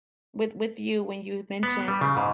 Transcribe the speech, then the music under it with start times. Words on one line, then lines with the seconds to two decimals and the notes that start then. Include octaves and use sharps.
with with you, when you mentioned,
1.63 B3
1.88 G3
2.01 C#3
2.17 G#2